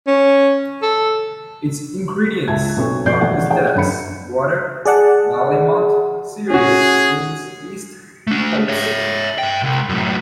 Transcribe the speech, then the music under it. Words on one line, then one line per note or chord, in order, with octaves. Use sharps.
Its ingredients are listed as water, barley malt, cereal grains, yeast, and hops.
C#4
A4
C#2 E5 A5 G#6
B1 B2 C4 A4 C#6
F2 B2 G3 D5 G6 C7
A1 A3 F#5
G#4 A4 C#5 F#5 G5
F#2 D3 B5 C#7
G#4 D5 F#5 A5
C#4 F#4 G#4
A3 D4
C#5 E5
G2 G5
C2
F#2 A2